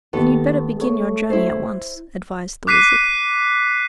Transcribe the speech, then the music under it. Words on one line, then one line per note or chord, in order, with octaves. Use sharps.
"Then you'd better begin your journey at once," advised the Wizard.
D#2 B3 A4
A3 G#4 C#5
E4 C5
D6 F#6 B6 C7 D#7